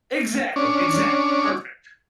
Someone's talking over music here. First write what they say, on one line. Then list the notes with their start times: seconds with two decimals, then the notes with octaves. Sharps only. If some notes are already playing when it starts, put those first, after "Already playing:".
Exactly, exactly, perfect.
0.56 C#4 D4